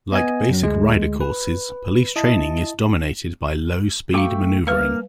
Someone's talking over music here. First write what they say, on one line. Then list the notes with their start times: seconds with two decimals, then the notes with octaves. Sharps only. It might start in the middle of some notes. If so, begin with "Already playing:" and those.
Like basic rider courses, police training is dominated by low-speed maneuvering.
0.12 B3 D#5 G#5
0.49 F#2 F#3
0.62 D2 G#3
1.20 B4
2.16 E4 D#5 A5
4.14 A3 F#4 F5 G5 C#6
4.67 G3 A#3 B4 F5 F6